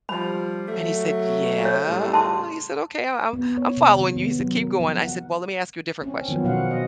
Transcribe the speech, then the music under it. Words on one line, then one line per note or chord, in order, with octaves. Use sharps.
And he said, "Yeah," he said, "Okay, I'm I'm I'm following you." He said, "Keep going." I said, "Well, let me ask you a different question."
F3 G3 B5
F#3 A3
C#5
A2 C#3 G3
A5 C6
B3
C#5
C3
D#3
B3
F#3
A#4
F3
F#5
C4 C#4
D#3 F3 F#3 B3
B2 F#4 C5 F5 F#5
D#5